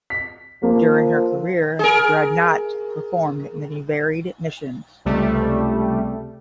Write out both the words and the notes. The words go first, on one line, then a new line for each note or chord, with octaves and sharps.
During her career, "Dreadnought" performed many varied missions.
B6
F3 A#3
G#4 A#4
C#2 C3 G3 A3